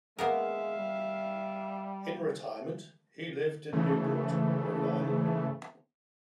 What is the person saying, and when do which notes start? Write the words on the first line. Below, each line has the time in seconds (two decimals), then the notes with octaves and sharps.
In retirement he lived in Newport, Rhode Island.
0.19 G#3 A#3 B3 A#4 E5 F5
0.77 G3
3.72 G#2 C#3 E3 A3